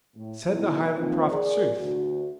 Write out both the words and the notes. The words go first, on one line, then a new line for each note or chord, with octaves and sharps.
'Said the Highland prophet sooth?
A2
B2 D#3 A3 E4
F3 A#3 C4 D#4 F4
G#4 A#4 D5
D2 F#4